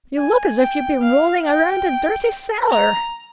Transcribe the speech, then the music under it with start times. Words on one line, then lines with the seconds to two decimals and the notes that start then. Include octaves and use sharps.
"You look as if you'd been rolling around a dirty cellar."
0.18 G#5
0.59 G5
1.02 F5
1.44 G5
2.70 A#5